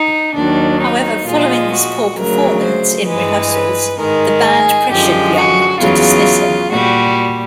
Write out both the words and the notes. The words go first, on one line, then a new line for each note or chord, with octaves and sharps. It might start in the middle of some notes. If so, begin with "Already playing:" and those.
However, following his poor performance in rehearsals, the band pressured Young to dismiss him.
Already playing: D#4
D#2 D#3 F#3 D4
D#4
A#2 F3 G#3 F4
F#4
D2 C#3 F#3 A#4
C5
G2 E3 G#3 B4
B4
G#2 D#3 G#3 A#4
G#4
F#2 D3 F3 G#3 G4
F#4
E2 C#3 F#3 F4
A#2 G3 F#4